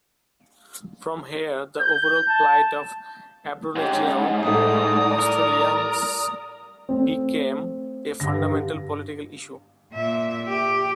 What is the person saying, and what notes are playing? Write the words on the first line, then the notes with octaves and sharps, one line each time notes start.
From here, the overall plight of Aboriginal Australians became a fundamental political issue.
G6
A5
G#2 C#4 G4
A2 G3 A3 D5 A#5 D#6
A#4
A3 C4
G2 D3 A#6
A#2 E5
G4